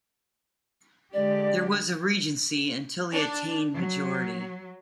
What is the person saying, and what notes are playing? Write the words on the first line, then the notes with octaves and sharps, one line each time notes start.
There was a regency until he attained majority.
D3 G#3 G4 D5
D4
F#3